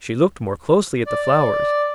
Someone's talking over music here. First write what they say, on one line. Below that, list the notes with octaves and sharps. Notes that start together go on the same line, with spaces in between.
She looked more closely at the flowers.
D5